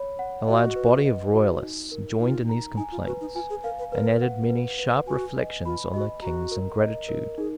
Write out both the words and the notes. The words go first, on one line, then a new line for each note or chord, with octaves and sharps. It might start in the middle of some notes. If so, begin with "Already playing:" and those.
A large body of Royalists joined in these complaints, and added many sharp reflections on the King's ingratitude.
Already playing: C#5 B5
F#5
F#4 D#5
B4
D#5
F#4
D#4
A#4
D#4 F4
A#5
D#4 G#5
F4
F#4 B4
D#4
F4 G#5
G#4
A#4 F5
B4
A#4 B4
F#5
B4
B4
F#4 G#5
D#5
F4 B5
F#4 D#5
F#4 A#5
A#4
D#5
A#4
D#4 G#4